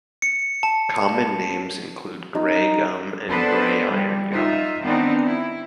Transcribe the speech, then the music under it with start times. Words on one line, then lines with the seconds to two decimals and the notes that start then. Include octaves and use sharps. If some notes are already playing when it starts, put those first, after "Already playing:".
Common names include grey gum and grey irongum.
0.22 C#7
0.63 A5
2.35 D#4
3.29 B3 D4 A4 B4 C5
3.93 G3
4.32 D#4 F4 E5
4.81 D#3 B3 C4 D4 D#4
5.25 E4